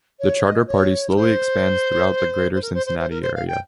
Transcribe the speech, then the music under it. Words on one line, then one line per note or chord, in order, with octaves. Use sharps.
The Charter Party slowly expands throughout the Greater Cincinnati area.
C#5
D#5
C#5
A#4
C5
C5
A#4
C5
C5
C5
A#4
C5
F5
G5